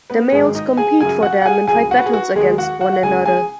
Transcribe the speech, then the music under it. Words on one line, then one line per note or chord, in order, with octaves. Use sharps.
The males compete for them and fight battles against one another.
B3 B4
G#2 D#3 F#3 G#3 G#4
D#4 D#5
G#4 G#5
F#2 C#3 F#3 G#4 G#5
F#4 F#5
F#5
G#4 G#5
C#2 C#3 F#3 G#4 G#5
F#4 F#5
B4
G#4
F#4
D#2 D#3 F#3 G#3 G#4
F#4 F#5
F#4 F#5
F#5
C#2 C#3 F#3 G#4 G#5
G#4 G#5